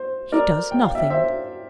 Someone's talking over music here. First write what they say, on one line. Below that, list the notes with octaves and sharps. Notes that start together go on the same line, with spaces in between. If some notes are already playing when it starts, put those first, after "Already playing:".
He does--nothing.
Already playing: C5
A#4 D5
G5
F5
E5 G5
C5 E5